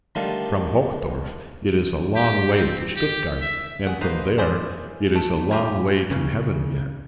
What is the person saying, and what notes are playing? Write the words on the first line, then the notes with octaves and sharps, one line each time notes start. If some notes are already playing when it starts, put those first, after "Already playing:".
From Hochdorf it is a long way to Stuttgart, and from there it is a long way to heaven yet.
D3 D#3 G3 A3 D4 F4
G4
C4
G4
E5
G#4 F#5
A#3 D#4 B4 C5
E4 G#4 C5 D5
A3
F4 G4 A#4 G#5
C#3